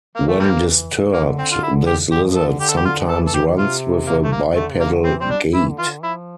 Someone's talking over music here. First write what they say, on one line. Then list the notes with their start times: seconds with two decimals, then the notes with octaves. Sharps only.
When disturbed this lizard sometimes runs with a bipedal gait.
0.15 E3 A#3
0.29 A3
0.40 D3 G3 A#3
1.14 D3 A#3
1.39 C4
1.52 F4
1.63 E4
1.87 G4
2.11 D3 G4
2.28 F3
2.36 A4
2.44 D3
2.60 D3 G4
2.69 A4
2.77 G4
2.85 D3 F4
3.09 E3 A4
3.28 A4
3.34 E3 G4
3.58 C3 F4
4.07 A#3
4.25 A3
4.32 A#3
4.56 D3 A3
4.73 C3
4.81 A#3
4.89 D3
5.05 E3 C4
5.21 G3 C4
5.31 D4
5.54 E3 E4
5.71 D3
5.79 E3 F4
5.86 D3
6.03 F3 E4